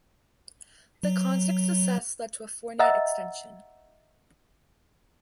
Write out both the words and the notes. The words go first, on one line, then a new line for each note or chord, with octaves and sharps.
The concert's success led to a four-night extension.
F#3
D#5 E5 F#5 A#5 E6 A6